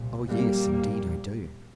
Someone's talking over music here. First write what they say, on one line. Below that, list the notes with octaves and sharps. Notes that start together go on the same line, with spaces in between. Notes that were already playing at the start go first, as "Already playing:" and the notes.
"Oh, yes, indeed I do!"
Already playing: C2 A#2
A#1 A#2 G3 A#3
A#1 A#2